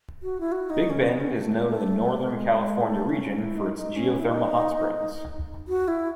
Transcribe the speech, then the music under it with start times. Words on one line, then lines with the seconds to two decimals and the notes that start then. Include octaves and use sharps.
Big Bend is known in the Northern California region for its geothermal hot springs.
0.23 F#4
0.40 E4
0.52 F#4
0.70 D#4
0.90 C#4
1.08 B3
1.20 C#4
1.29 B3
1.37 A3
1.67 A3
2.23 G#3
2.52 G#3
2.81 A3
3.09 C#4
3.38 E4
3.57 D#4
3.77 D#4
3.96 C#4
4.20 E4
4.24 D#4
5.68 F#4
5.88 E4